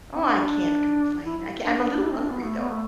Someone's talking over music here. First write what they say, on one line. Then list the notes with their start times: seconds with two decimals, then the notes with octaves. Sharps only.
Oh, I can't complain. I c I'm a little hungry, though.
0.16 C4
0.20 D4
0.45 D4
1.24 E4
1.65 D4
1.78 D4
1.90 D4
2.04 E4
2.11 C4
2.18 D4
2.30 B3
2.43 A3
2.57 B3
2.70 A3